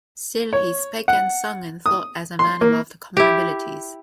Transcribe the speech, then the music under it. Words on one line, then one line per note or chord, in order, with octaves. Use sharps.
Still, he spake and sung and thought as a man above the common abilities.
C#5
F#5
D#6
C6
A#3
E4 G4